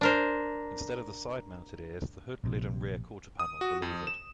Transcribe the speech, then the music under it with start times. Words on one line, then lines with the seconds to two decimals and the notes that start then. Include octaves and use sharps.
Instead of the side-mounted "ears", the hood lid and rear quarter panels were louvered.
0.01 D4 A#4 C5
2.44 A#1 C3
3.39 D#6
3.61 F#4
3.82 F2
4.07 E7